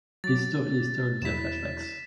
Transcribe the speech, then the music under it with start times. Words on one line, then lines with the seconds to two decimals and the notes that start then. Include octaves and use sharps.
His story is told via flashbacks.
0.24 F#3 D6 A6
1.22 E2 F#3 E4 B6 E7